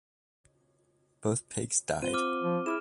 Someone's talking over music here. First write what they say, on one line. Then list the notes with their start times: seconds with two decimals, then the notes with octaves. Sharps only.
Both pigs died.
2.02 C4 F4 C5 D#7 G7
2.14 D6 F6 D#7
2.43 F3
2.66 E4 G#4 D6 F6 E7